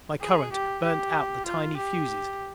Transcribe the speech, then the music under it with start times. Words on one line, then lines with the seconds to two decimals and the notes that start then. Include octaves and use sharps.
My current burned out the tiny fuses.
0.20 G#4
0.52 G4
0.83 G4
1.45 F4
1.76 G4